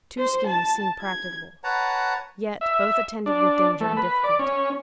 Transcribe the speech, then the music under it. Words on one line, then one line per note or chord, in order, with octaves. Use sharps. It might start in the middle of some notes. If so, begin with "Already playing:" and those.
Two schemes seemed practicable, yet both attended with danger and difficulty.
C5
A5
G#6
B4 C#5 F#5 A5 A#5
E5
D4
A3
B4
D5
C#4